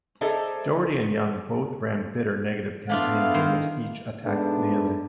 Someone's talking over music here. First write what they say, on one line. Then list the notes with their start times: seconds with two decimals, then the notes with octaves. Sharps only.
Dougherty and Young both ran bitter, negative campaigns in which each attacked the other.
0.21 D#4 G#4 A4 C5 D5 E5
2.90 A3 B3 D4 E4 F4 F5
3.34 D#3 C5
4.24 G#2 A3 B3 D4